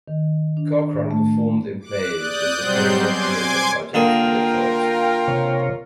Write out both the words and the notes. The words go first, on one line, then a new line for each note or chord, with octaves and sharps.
Cochran performed in plays in the Federal Theatre Project in Detroit.
D#3
D4
A2
A3
D6 F#6
D5 D#6 F#6 G6
B2 F#3 G3 C4 C6 G6
G#5 C6 D6 G#6
D3 A#3 F4 A#4 G5 D#6
C3 C#5